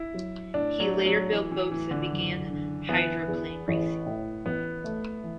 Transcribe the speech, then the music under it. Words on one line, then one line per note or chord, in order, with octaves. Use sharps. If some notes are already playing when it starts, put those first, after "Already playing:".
He later built boats and began hydroplane racing.
Already playing: E4
F#3
A2 D4
F#3
A3
F#3
E3 F#4
E3
A2 E3
D3
F#1
D3
E3 B3
E2
A1
A2
A1 B3
A3
E3